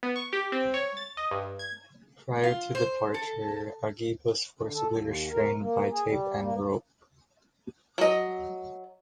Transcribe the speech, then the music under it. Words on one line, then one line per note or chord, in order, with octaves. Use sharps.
Prior to departure, Ageeb was forcibly restrained by tape and rope.
B3
C#6
G4
C4
C#5
A6
D#5
G2
G#6
F4
C5
A4
D3
A4
D#2
A#4
A#3
G#4
G3
A#3
F#3 D#5